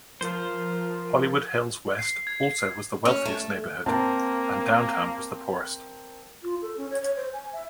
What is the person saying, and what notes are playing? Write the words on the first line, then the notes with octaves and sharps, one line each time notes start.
Hollywood Hills West also was the wealthiest neighborhood, and Downtown was the poorest.
F3 F4 A#4 C5
C7
G#6
C#4
A3
A#3 C4 A#4 A5
F4
A4
C#4
C#5
C#5
C5
G#5
E5